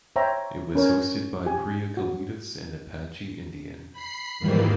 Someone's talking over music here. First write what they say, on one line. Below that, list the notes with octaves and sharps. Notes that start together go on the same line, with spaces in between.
It was hosted by Preeya Kalidas and Apache Indian.
C5 C#5 E5 G5 A#5
C#4 A#4 C#5
G4 G#5
F#4
B5 C7
F2 G#2 D#3 E3 G3 A#3